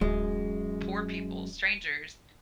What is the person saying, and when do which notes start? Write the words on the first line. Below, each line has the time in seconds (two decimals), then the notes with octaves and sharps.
poor people, strangers,
0.01 D1 F#2 G#3